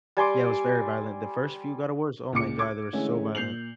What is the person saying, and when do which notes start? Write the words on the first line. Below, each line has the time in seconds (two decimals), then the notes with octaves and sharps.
Yeah, it was very violent. The first few God of Wars oh my god, they were so violent.
0.17 G3 G#5 C6 D6
2.33 C#2 A#2 D6 C#7
2.59 D6 E6 G#6
2.93 D3 E3 G#3 A3 C#4
3.35 A#2 G6 C7 F7 F#7